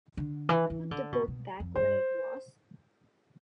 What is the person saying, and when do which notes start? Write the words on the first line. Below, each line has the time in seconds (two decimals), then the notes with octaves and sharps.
Put the book back where it was.
0.17 D3
0.49 E3
0.70 E3
0.91 D3
1.12 B2
1.28 B2
1.60 F2
1.76 G2 C5